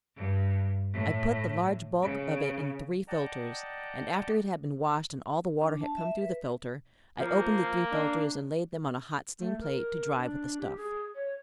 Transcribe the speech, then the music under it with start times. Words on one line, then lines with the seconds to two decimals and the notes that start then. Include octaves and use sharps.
I put the large bulk of it in three filters, and after it had been washed and all the water had come through the filter, I opened the three filters and laid them on a hot steam plate to dry with the stuff.
0.16 G2
0.92 A2
2.01 C#3
3.08 D5 D#5 F#5 G5 A5 A#5
5.62 D4
5.81 A5
5.97 E5
6.21 B4
7.19 F3 A#3
7.91 D4
9.40 A3
9.60 A#4
10.16 D4
10.60 G4
10.77 G#4
11.15 C#5